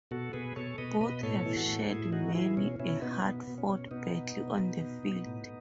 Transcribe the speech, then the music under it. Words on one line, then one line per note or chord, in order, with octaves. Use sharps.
Both have shared many a hard fought battle on the field.
B2 F#4 A4
B2 G#4 B4
B2 A4 C#5
B2 B4 D#5
B2 B4 D#5
A2 A4 C#5
E3
F#4 A4
A2
A2 E4 G#4
E3 D#4 F#4
E3 E4 G#4
B2 C#4
B2 C#4 E4
B2 B3 D#4
B2 B3
B2
C#4
B2
B2 B3 D#4
B2
B2
B2
B2
B2
A2